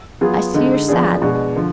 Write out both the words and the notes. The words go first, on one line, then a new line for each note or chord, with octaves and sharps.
I see you're sad....
F#3 B3 F4 G#4
D3 G#3 D#4
F3 B3 D4 G#4
B2 G#3 D4 G#4
D3 F3